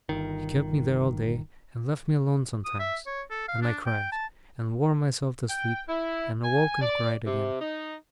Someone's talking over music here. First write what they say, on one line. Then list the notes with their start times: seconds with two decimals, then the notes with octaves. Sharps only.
She kept me there all day, and left me alone sometimes; and I cried, and wore myself to sleep, and awoke and cried again.
0.09 G1 D#3
2.65 D#6
2.79 E5
3.06 C#5
3.30 A4
3.48 F5
3.62 D4
3.86 G5
4.12 A5
5.49 G5
5.88 E4
6.43 G#5
6.80 D5
7.26 C3
7.61 D#4